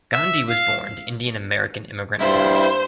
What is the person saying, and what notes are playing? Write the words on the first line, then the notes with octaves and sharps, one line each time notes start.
Gandhi was born to Indian American immigrant parents.
E5
F5
G2 E4 F4 C5